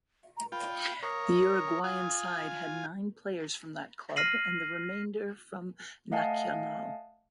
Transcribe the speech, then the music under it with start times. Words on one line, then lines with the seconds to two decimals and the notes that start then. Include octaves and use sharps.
The Uruguayan side had nine players from that club and the remainder from Nacional.
0.37 A#5
0.52 F4 G5 B5
1.03 A#4 C#5 D#6
1.84 F4 G#5
4.16 F6 A#6 C7 D#7 F#7
6.12 A3 D#5 F5 F#5 G#5 A5